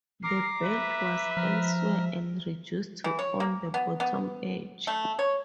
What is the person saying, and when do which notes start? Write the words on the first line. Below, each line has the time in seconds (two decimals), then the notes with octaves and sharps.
The belt was elsewhere and reduced to on the bottom edge.
0.24 A#4 A#5 D6 C7
0.64 B4 E5
1.37 F3 A#5 F6
3.04 E3
3.19 C#5
3.40 A#3
3.74 B3
4.00 B3
4.87 A3
5.19 C#5